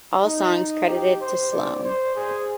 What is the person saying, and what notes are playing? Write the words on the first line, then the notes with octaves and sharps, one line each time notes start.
All songs credited to Sloan.
D#4
G4
C5
D5
C5
G#4